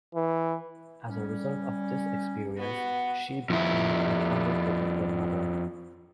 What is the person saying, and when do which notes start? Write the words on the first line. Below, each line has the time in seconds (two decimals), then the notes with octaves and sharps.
As a result of this experience, she became an overprotective mother.
0.14 E3
1.08 G3 C#4
2.58 B3 F#4
3.50 F2 E4